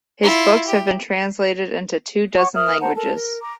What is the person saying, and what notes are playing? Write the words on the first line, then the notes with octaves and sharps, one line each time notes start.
His books have been translated into two dozen languages.
E4 F4
G4
C#5 F#5 C#6 D6
A#4 E5 D#6 F6
C5 F#5 A5 A#5
A4 A#4 A5
A#4
A#5 D6